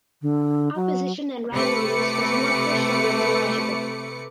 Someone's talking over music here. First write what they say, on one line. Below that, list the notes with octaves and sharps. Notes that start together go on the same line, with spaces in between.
Opposition and rivalries was more personal than theological.
D3
F#3
C3 A3 B4 D6 C#7